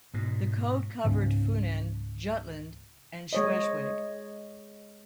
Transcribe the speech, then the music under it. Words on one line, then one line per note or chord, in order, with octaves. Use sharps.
The code covered Funen, Jutland, and Schleswig.
G#2 B2
C#2 G#2 C#3 C#4
G#3 C#5 D#5